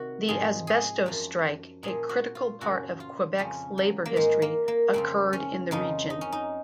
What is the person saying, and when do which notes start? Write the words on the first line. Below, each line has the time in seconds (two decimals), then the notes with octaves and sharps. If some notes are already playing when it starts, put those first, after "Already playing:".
The Asbestos Strike, a critical part of Quebec's labour history, occurred in the region.
Already playing: C3 D#3 F#4
0.28 G#2 F3 G#4
0.67 G#4
1.06 F#2 F3
1.83 A#2 F3 G#4
2.09 F#4
2.35 F4
2.61 F#2 C#3 F3 F#4
3.00 F4
3.38 F2 C#3 F3 C#4
3.78 F#3
4.06 A#3
4.16 G#2 D#3 G#3
4.42 A#3
4.68 A#3
4.93 F2 C#3 F3 C4
5.33 C#4
5.71 F2 C#3 F3 D#4
6.10 D#4
6.21 C#4
6.32 D#4